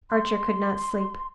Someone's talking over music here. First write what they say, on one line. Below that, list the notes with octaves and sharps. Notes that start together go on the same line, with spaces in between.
Archer could not sleep.
C6